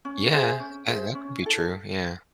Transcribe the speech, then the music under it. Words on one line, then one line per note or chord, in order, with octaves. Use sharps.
Yeah, that that could be true, yeah.
C#4
G#4 C5 E5
C#4
G#4 C5 E5
C#4
E4 A4